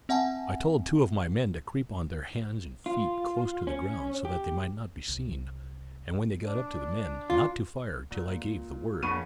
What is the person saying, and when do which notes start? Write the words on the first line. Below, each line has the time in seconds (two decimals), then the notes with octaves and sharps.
I told two of my men to creep on their hands and feet close to the ground, so that they might not be seen, and when they got up to the men, not to fire till I gave the word.
0.09 C4 E5 F#5 G#5 A5
2.86 F4
3.67 C#4
4.25 G4
5.08 C2
6.45 D4
7.30 F4
8.11 A#2
9.03 F2 C#3 A#3 B3 D4 B5 C#6 D#7